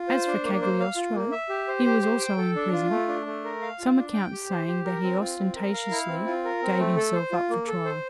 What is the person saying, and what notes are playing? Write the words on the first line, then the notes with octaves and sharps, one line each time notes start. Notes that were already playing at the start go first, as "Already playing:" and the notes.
As for Cagliostro, he was also imprisoned, some accounts saying that he ostentatiously gave himself up for trial.
Already playing: F4
C5
D4
A#3
C5
F5
F4
A#3
E5
G4
C5
G4
C5
G5
A4
D4
F4
A3
D4
A3
A#4
F5
F4
D4
G5
G4
C5
G4
A#4
C4
F4
C4
A#4
F5
E4
C4
F4
A#4
C4
A3
A4
C5
F4
A#3
A4
C5